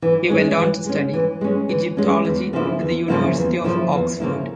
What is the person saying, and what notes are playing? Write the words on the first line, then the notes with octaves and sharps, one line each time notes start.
He went on to study Egyptology at the University of Oxford.
E3
G#3 C#4
E3
G#3 C#4
E3
G#3 C#4
E3
G#3 C#4
E2
C#3 F3 A#3 E4
E2
C#3 F3 A#3 E4
E2
C#3 F3 A#3 E4
E2
C#3 F3 A#3 E4